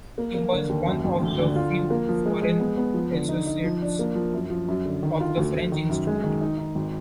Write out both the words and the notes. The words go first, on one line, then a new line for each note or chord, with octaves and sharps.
He was one of the few foreign associates of the French Institute.
A#3
A#3
D3
D#2
F#2
G#1
D2
D3
F4
F3
A#3
F3
G#3
G#3
B3
B3
F3
D3
D#4
D#4
F3
D4
A#3
F3
F#2
F3
F#2
D3
D#3
F4
D2
D2
D#3
F#2
G#3
D#3
D#4
D#4
G#1